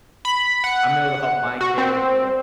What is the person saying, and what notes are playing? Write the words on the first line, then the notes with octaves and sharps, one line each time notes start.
I'm able to help my kids or,
B5
F#5
F#4
C4